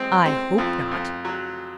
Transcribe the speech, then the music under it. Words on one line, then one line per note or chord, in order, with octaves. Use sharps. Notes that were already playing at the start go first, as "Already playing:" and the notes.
"I hope not."
Already playing: G#3 C4
C4
F2
F2
F#3